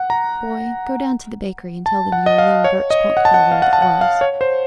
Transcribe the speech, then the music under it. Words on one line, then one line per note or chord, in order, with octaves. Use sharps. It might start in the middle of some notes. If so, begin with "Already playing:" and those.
Boy, go down to the bakery and tell them you are young Gert Schwankfelder that was.
Already playing: F#5
A#5
A5
F#5
D#5
F5
C#5
D#5
F#5
A5
F#5
F5
F#5
A5
F#5
F5
C#5
C5